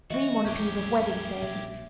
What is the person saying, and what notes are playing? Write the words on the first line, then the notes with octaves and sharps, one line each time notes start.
Dream on a piece of wedding cake.
D#3 F3 F#3 F#4 D#5 E5 C#6
A#1 F2 E3 A3 C#4 G4 C#6 G6
A#1 B2 E5